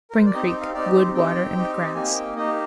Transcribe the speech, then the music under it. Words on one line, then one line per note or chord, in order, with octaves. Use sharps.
Spring Creek.--Wood, water, and grass.
A#4
C5
D5
C4 D#4 G4 D#5
G5
F5
C4 D#4 G4 D5
C5
C4 D#4 G4 G5
C4 D#4 G4
A#3 D#4 G4 G#5
G5
A#3 D#4 G4 D#5